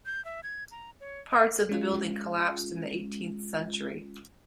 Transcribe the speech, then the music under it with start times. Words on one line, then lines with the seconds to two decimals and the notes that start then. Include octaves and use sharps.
Parts of the building collapsed in the eighteenth century.
0.06 G6
0.25 E5
0.43 G#6
0.71 A#5
1.00 C#5
1.31 D#5
1.69 G#3 C#4 F4